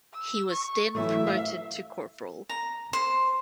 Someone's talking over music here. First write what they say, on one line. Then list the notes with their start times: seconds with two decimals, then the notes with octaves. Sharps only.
He was then promoted to corporal.
0.14 E6
0.51 C#6
0.95 E3 F#3 A3 E5
1.27 F5
2.50 A#5
2.93 C5